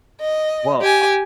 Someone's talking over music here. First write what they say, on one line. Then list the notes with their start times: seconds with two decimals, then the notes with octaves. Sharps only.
Well, ah
0.21 D#5
0.81 G4 G#5